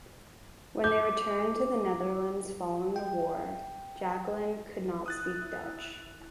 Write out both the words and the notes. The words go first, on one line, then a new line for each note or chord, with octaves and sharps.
When they returned to the Netherlands following the war, Jacqueline could not speak Dutch.
D6 G6
G5
E4 D#6 F#6 A6